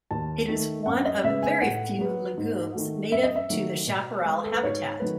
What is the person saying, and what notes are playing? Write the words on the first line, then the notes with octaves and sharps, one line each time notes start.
It is one of very few legumes native to the chaparral habitat.
D#2 A5
D#3 A3
F#2 F#5
D#5
C#3 G#3 B3 E5
G#5
A2 F#5
F#3 B3
G#2
D#3 A3
F#2 E5
D#5
E5
D#3 F#3 A3
B2
G#3 B3
A4
B4
G#2 C#5
D#3 F#3 A3 B4